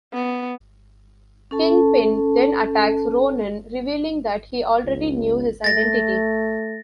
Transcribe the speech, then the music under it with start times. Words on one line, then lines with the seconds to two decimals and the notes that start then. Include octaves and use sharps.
Kingpin then attacks Ronin, revealing that he already knew his identity.
0.14 B3
1.51 C#4 A4 A5
4.84 C#2
5.64 A3 A6 A#6